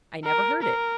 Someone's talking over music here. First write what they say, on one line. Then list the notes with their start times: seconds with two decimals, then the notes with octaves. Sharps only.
"I never heard it."
0.25 A#4
0.63 A#4